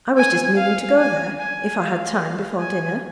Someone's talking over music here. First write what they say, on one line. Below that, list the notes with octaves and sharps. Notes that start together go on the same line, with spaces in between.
I was just meaning to go there, if I had time, before dinner.'
G#5
F5
G#5
G#5
F5
F5
G#5